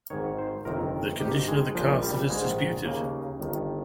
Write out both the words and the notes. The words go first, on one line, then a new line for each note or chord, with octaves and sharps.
The condition of the castle is disputed.
G#1 G#2 D#3 C#5
C5
G1 F2 C3 D#3 A#4
G#1 G2 D#3 G4
G#3
A#1 A#2 F3
G3
A#1 G#2 D#3 G#3
D#2 C#3 A#3
G1 G2 D#3